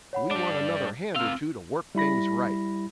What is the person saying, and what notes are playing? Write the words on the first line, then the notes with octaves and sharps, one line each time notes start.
We want another hand or two to work things right.'
C#5 F#5 B5
G3 D4 D6
C3 F4 E6 F6
G3 E4 B5 A#6